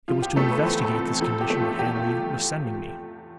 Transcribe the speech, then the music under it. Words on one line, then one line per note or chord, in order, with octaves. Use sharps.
It was to investigate this condition that Hanley was sending me.
F3 F4
G4
A3 A4
B4
E2 C5
A4
C3
F3 A4
G4
A3
F4
E2 G4
F4